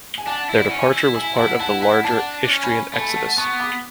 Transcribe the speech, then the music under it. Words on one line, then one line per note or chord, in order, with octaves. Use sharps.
Their departure was part of the larger Istrian exodus.
G#5
D4 F#5 A5
E4
D5 F#5
C#4
E4
E4 E5 G#5
E4 F#5 A5
E4 F#5 A5
E4 F#5 A5
D4 F#5 A5
D4
C#4
G#5 B5
A3 G#5 B5
F#5 A5
B3 A5 C#6
B5 D6